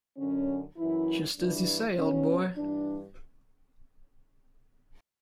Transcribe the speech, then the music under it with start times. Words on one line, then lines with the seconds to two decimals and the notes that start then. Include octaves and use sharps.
Just as you say, old boy.
0.17 F#2 D3 C#4
0.77 F#2 E3 E4
1.37 G2 E3 D4
1.97 E2 B2 C#4
2.56 G2 E3 D4